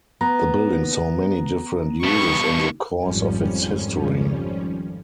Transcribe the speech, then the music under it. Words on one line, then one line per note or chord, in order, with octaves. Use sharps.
The building saw many different uses in the course of its history.
B3 A#5
G2 B2 C#6
G#1 F2 F3 G3 C#4